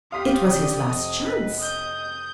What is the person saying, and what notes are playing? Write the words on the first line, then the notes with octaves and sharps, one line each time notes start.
It was his last chance.
G4 F5 C6 D#6 B6
A#1 C3
F1 D#5
B4
D#6 G6